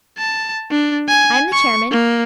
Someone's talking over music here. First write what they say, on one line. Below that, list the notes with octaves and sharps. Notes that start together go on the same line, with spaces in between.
I am the chairman.
A5
D4
G#5
C#6
A#3